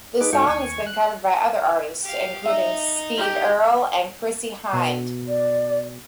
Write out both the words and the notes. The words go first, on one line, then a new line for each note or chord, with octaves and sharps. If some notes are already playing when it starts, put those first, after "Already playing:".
The song has been covered by other artists, including Steve Earle and Chrissie Hynde.
D#4 G#4 B4 D6
G#2 D#4 F#4 A4 G5 C#6
D#2 G#5 C#6
F#6
G4 F5
D#4 E5
G4
B2
D5